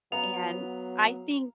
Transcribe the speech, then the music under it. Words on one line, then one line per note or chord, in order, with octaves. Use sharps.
and I think
F#3 B3 F5 A#5 F7